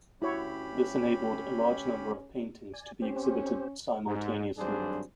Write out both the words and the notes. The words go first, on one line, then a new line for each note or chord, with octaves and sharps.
This enabled a large number of paintings to be exhibited simultaneously.
D2 C#4 E4 F#4 G4 C#5 B5
D5 G#5
C4 C#4 G4 C5
G#2
G#1 G2 F#3 D4 G#4 C5